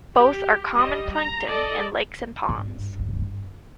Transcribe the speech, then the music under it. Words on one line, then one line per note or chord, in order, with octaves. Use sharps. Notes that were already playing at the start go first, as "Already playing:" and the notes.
Both are common plankton in lakes and ponds.
G4
G3 D#5
A#5
A4 D5 D#5 A5
G#1 G2